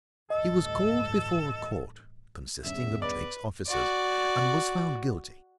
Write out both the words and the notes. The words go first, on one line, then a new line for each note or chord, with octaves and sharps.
He was called before a court consisting of Drake's officers and was found guilty.
A1 D2 G2 A4 D#5
D#1 E2 G2 C#4 E5
B4 D5
F#4 D5